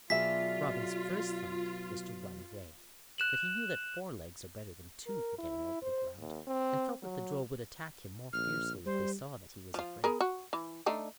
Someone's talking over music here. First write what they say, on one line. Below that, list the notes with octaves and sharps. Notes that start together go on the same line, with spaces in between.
Robin's first thought was to run away, but he knew that four legs are better than two for getting over the ground, and felt that the drove would attack him more fiercely if they saw that he was afraid.
B2 F#3 F4 G#4 D5 E5 B6
F#6 E7 F#7
A#4
E4
C5
D#2
C4
F#3
A#1 F6
G3 C5
F3 F4
B3 G#4 A#4
F#4
E3
A3 D4 D#4